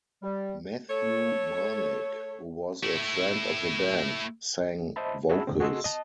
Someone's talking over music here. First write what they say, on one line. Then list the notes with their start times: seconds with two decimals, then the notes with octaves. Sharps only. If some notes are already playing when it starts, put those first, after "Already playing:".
Matthew Marnik, who was a friend of the band, sang vocals.
0.23 G3
0.90 A3 A4 C#5
2.83 A3 E4
4.96 C5 D#5 E5 A5 B5
5.30 F#4 G#4 E5 A5 B5 E6
5.47 E2 A2 D3 C4
5.60 F#4 G#4 A4 D#5 C6 E6
5.84 D#5 A5